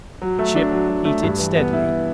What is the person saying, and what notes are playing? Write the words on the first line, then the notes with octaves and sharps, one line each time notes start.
The ship heated steadily.
F#3
A3
D4
F#3
F#3
A3
G2
E3
B3
E4